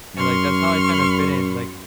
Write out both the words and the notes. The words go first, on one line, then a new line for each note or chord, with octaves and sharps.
and, like, that's how I kind of fit in, like,
F#2 C6 C#6 F6